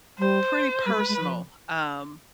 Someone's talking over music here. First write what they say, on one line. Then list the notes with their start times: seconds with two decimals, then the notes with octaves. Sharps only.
pretty personal, um
0.18 G3 C5
0.86 G3 B4
0.98 G#3
1.08 G#3
1.20 F3